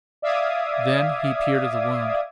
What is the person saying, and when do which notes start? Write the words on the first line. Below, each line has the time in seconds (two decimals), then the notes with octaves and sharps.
Then he peered at the wound.
0.22 D5 E5 F5 D6 D#6 G#6